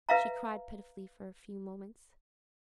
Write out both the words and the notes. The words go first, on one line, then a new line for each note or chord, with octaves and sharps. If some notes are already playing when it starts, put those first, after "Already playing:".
She cried pitifully for a few moments.
B4 E5 F5 A#5